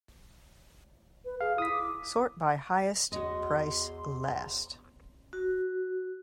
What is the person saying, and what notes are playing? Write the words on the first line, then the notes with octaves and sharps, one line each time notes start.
Sort by highest price last.
B4
G#4 F5
E4 D#6 B6
D6
E2 F#4 C#5 D#5 C6
F#4